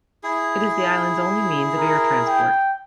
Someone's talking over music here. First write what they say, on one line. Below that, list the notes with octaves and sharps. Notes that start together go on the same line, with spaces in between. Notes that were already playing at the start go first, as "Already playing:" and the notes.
It is the island's only means of air transport.
E4 G#4
A#4
G5